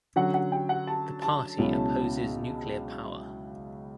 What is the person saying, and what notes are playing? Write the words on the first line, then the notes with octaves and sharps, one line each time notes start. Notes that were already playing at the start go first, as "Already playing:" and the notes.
The party opposes nuclear power.
D3 F#3 C#4 F#4 F#5
F#5
G5
F#5
A5
A5
C#2 B2 F#3 C#4 E4